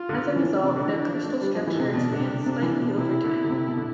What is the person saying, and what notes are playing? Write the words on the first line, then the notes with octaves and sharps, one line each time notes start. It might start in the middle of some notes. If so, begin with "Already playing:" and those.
As a result, their crystal structure expands slightly over time.
Already playing: F4
D3
E3 D4
C3
D3
E3
F3
A3
G3
F3
E3
D3
C3
B2 D4
D3
C3
C3
E3
B2
C3 E4
D3
D3
C3
B2
D3